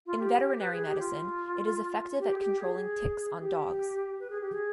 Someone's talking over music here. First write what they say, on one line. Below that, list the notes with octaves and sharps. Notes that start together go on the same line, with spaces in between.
In veterinary medicine, it is effective at controlling ticks on dogs.
F4
G4
B4
G#4
G4
F4
G4
G#4
G4
G#4
G4
B4
G#4
G4
G#4